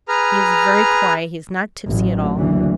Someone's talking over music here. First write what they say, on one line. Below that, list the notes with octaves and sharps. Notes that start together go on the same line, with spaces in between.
He is very quiet--he is not tipsy at all.
G#4 B4 A#5 F6
A1 F#3
F#1 D2 E3